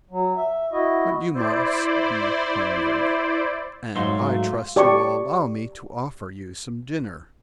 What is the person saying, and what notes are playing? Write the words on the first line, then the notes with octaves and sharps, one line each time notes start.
But you must be hungry, and I trust you will allow me to offer you some dinner.
F#3
E5
E4 F#4 D#5
E4 C5 D5
G#2 F#3 A3 F5 C6
G4 D5 A5 C#6